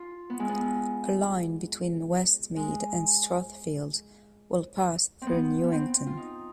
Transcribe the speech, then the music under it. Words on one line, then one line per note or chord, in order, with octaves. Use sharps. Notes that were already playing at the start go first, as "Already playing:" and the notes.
A line between Westmead and Strathfield will pass through Newington.
Already playing: F4
B3
G#3
B3
G#3
B3 C4
B3
C4
F4
D#4